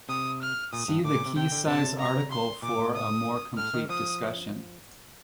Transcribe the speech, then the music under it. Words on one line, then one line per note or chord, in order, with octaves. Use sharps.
See the key size article for a more complete discussion.
C3 D#6
F6
A#2 D#6
G2
A2 D6
A#2
C3
C3 G5
D3
C3 A5
A#5
C6
A#2 D6
A2
D#6
A2 F6
D#3
F3 D#6